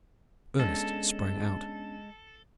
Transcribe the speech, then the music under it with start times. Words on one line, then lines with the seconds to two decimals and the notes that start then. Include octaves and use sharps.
Ernest sprang out.
0.60 G#3 B3 C#4 D4 A4